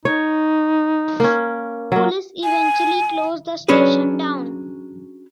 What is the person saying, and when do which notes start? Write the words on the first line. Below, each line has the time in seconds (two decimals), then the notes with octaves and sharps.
Police eventually closed the station down.
0.05 D#4 C#5
1.20 A#3 C#4
1.92 F#3 A#3
2.43 G#5
3.68 F#3 C#4 D4 G#4 B4